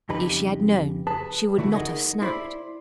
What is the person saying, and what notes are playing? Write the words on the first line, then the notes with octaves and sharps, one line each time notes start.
If she had known she would not have snapped.
F2 C#3 D#4 G4 B4 B5
G#4 B4 A5
D3 A3 E4 F#4
D#4 G#4 A#4 D#5 F#5
E4 C5 D5 B5